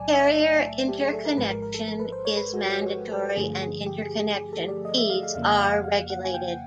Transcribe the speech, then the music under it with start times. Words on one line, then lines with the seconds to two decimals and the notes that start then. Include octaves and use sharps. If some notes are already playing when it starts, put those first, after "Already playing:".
Carrier interconnection is mandatory and interconnection fees are regulated.
Already playing: B1 A2 F#3 A3 D5 G#5 A5
0.13 E5
0.88 G4
1.00 G#4
1.13 A4
1.25 A#4
1.37 G#1 G#2 F3 G#3 B4
1.50 A#4
1.62 A#4
1.74 A4
1.88 A#4
1.99 B4
2.12 C5
2.25 C#5
2.37 B4
2.54 F#4
2.65 G4
2.70 F#4
2.86 F#4
3.12 A4
3.36 G2 D3 F3 A3 G#4
3.62 G#4
3.86 G4
4.02 G#4
4.19 G#4
4.36 G#4
4.53 A4
4.68 D5
4.85 D#5
4.98 E5
5.10 F5
5.23 F5
5.35 F2 C#3 F3 A#3 F5
5.47 F#5
5.60 F5
5.72 F#5
5.84 F5
6.10 F#5
6.24 G#5
6.34 G5